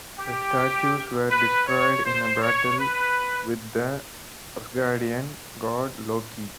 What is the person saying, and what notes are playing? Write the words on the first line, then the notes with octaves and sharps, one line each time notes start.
The statues were destroyed in a battle with the Asgardian god, Loki.
G4
B4
C#5
C5
C#5
B4